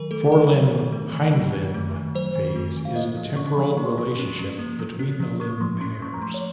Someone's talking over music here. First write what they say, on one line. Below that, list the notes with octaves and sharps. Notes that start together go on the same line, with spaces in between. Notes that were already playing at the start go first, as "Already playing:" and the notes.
Forelimb-hindlimb phase is the temporal relationship between the limb pairs.
Already playing: D#3 F#3 A#4
A3 A4
D#3 A4
F#3 A#4
D#3
A3
D#3
F#3
D#3
A3
D#3
F#3 C5
D#3
A3
D#3
F5
A#3 D#5
F3
C#4 C#6
F3
A#3 C#6
C6
C#6
F3
C#4
F3
A#3
F3
C#4
F3
A#3 C#6
F3 C6
C#4 C6
F3 C#6
A#5
A3 C6
C#5